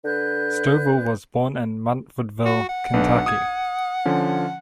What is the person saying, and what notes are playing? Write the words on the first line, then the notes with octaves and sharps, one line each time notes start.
Stovall was born in Munfordville, Kentucky.
D3 B4 F#6 G6
F#4
F#5
B1 D4 B4
D#6 G#6
D3 F3 C#4